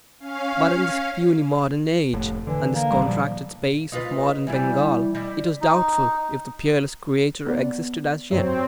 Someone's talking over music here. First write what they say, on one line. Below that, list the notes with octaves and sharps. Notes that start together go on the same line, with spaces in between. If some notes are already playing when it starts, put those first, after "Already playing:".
But in this puny modern age, and this contracted space of modern Bengal, it was doubtful if the peerless creature existed as yet.
C#4 F5
F1 A2
D3 E3
A#3
A1 D#3 G3
A#2 F3 G3
D#4 F4 B4
E3 G3 E4
G3 E4 D#5
D#4
B3 D5 F#5
F#2 C4 C#5